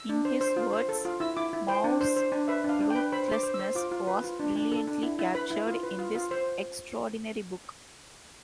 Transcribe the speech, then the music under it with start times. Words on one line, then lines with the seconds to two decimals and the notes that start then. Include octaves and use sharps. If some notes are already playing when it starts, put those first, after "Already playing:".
In his words Mao's "ruthlessness" was "brilliantly captured in this extraordinary book".
Already playing: E6
0.09 D4
0.25 C5
0.41 C5
0.56 F4
0.73 C5
0.89 A4
1.05 F4
1.20 E4 E6
1.37 E4 D6
1.53 E4
1.68 C5 G5
1.84 D4
2.01 C5
2.16 C5
2.32 D4
2.48 B4 E5
2.64 D4 F5
2.80 D4
2.90 G5
2.95 B4
3.12 C5 B5
3.28 C5 D6
3.43 C5
3.54 E6
3.59 C5
3.75 F4 D6
3.91 F4
4.07 B4
4.24 F4
4.40 D4
4.56 D4
4.72 A4
4.88 D4
5.03 E4
5.19 E4
5.35 B4 B5
5.51 E4
5.67 F4
5.83 B4
5.99 F4
6.15 F4
6.31 C5